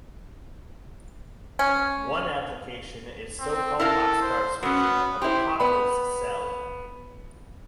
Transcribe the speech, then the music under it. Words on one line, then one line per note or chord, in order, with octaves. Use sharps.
One application is so-called boxcar switching of a Pockels cell.
C#4
C4
E4 A4 A#4 F5
C5
F#3 B3 C#4
E4 G4 C5
B3 B5